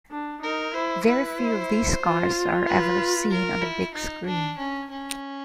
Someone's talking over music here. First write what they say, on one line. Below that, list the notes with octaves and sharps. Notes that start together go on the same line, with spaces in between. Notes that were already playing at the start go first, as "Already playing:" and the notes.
Very few of these cars are ever seen on the big screen.
D4
D#4 A#4
E4 C5
E4 B4
C5
F4
B4
A#4
E4
D#4
D4
C#4
C#4